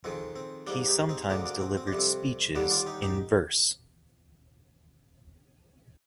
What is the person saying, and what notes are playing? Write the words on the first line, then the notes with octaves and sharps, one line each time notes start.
He sometimes delivered speeches in verse.
F2 D#3 G#3 C4
C4
G#2 G3 A#3 D4
D#4 G4
C4 D#4
D2 D3 G#3 A#3 D4
A#3 D4
C4
C4
D4
F2 C3 G3
C4
D#2 D3 G3 A#3 D4
D4 F4
D#4 G4
D#4 G4